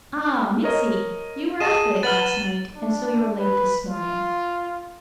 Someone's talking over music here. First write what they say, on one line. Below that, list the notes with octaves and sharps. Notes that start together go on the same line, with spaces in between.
'Ah, Missy! you were up late last night, and so you're late this morning.
A#4 C#5 D#5
G#4 D#5 A5 D#7 E7
B4 F#5 F6 A6 F#7 G7
D4
B4
F4